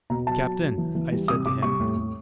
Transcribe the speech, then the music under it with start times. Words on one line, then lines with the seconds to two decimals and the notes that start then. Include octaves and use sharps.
"Captain!" I said to him.
0.10 B2 A#5
0.27 F#3 A5
0.44 F#3
0.61 F#3
0.78 E3
0.95 E3
1.12 G3
1.28 C3 D#6
1.46 C3 D6
1.63 G3 C#6
1.80 A2
1.96 A2